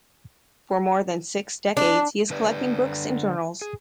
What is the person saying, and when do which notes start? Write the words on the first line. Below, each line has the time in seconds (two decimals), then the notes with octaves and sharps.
For more than six decades he is collecting books and journals.
1.77 D4
2.30 D3 B4 D5
3.62 G#4